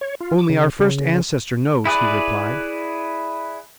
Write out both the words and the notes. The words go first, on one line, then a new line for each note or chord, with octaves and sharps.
"Only our first ancestor knows," he replied.
C#5
F4
D6
C#3
C#3
E4 G#4 B4 D5